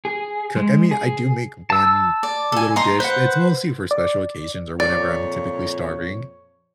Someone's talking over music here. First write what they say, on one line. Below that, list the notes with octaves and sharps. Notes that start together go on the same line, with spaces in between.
cook. I mean, I do make one little dish, but it's mostly for special occasions or whenever I'm typically starving,
G#4
G#3
G#4
A5 E6
D5
A4 G#5
D#4 A#5 C6
B4 C5 F#5
D5
F2 A#2 C#5 D5